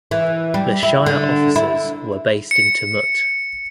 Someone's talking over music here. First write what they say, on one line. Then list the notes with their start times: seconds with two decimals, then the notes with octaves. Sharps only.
The shire offices were based in Tumut.
0.11 E3
0.54 G3
0.83 E4
1.06 D3
1.56 E4
2.51 C#7